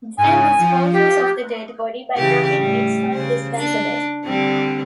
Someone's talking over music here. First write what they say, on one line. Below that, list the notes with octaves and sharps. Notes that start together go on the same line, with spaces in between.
Jane disposes of the dead body by dropping it some distance away.
G#2 C#3 G#5
F3
G4
C#3 E3 G4
A2 G3
C#3 C5
D4
D3 G3 C4